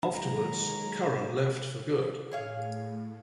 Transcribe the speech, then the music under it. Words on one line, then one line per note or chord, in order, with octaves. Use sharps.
Afterwards, Curran left for good.
D#2 F#3 G#3 A#5
A2 G#4 C#5 F5